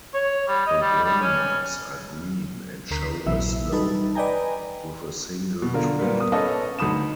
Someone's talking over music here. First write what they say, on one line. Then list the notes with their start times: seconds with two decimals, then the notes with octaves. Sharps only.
The waymarks are green and show a slope with a single tree.
0.14 C#5
0.48 G3
0.66 D#5
0.80 G3
1.04 G3
1.21 C#4
2.91 D2 A#4 B6 C7
3.26 A#1 C3 E3 F#3 E5 E6
3.72 G3 D#4 A4 B4
4.15 B4 D5 D#5 G5 G#5 A#5
5.62 B2
5.74 D3 F4 A#4
5.99 A#2 G3 A#3 B3
6.20 D#6
6.32 C#4 A4 B4 D#5
6.79 D2 D#4 B5 D#6 E7